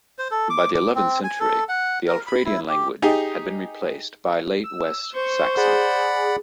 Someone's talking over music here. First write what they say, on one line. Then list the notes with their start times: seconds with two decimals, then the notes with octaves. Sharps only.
By the eleventh century, the Alfredian language had been replaced by Late West Saxon.
0.19 C5
0.31 A4
0.50 D6
0.75 D6
0.95 C4
1.24 G#5
1.40 A4
1.69 F#5
2.07 A#4
2.27 B5
2.45 E4
2.69 G4
3.02 D#4 G4 G#4
4.64 E6
5.14 C5 C#6
5.57 G#4 D5 F#5 B5